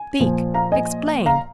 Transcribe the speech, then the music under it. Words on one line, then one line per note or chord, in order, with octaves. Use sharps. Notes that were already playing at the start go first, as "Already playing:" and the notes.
Speak, explain!
Already playing: G#5
A#2 F3
F5 A#5
D#5 G#5
F5 A#5